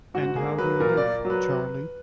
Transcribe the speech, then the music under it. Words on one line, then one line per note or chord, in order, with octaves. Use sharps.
And how do you live, Charley?
G#2 F#4
A#3 G#4
F#3 B4
A#2 A#4
D5
A#3
F#3
B4